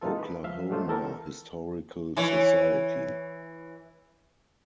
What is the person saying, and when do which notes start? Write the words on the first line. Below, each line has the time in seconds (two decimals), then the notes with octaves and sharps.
Oklahoma Historical Society.
0.01 E3 G#3 A#3 D#4 F4 A4
0.18 B4
0.44 F3 E5 F5
0.69 F#3 G#3 A3 D4 F4 C5
0.86 E3 B3 G4 A4 A#4
2.17 E3 C#5